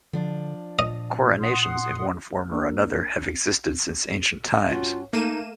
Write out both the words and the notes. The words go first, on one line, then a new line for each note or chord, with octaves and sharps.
Coronations, in one form or another, have existed since ancient times.
D3 F3 D4
A#2 D#5
F#5 C6 D#6
A#3 D4 A#4
G2 C#4 F4 F#4
A3 A#3 D#4 D#7 E7